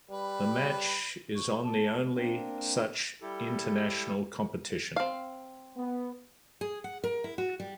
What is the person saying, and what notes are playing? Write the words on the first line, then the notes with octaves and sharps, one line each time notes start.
The match is the only such international competition.
G3 B4
C#6
A5
A#3 C4 D4
G3 E4 G4 A4
C4 F5
B3
G#4
F#5
A#4
E4
F#4
G3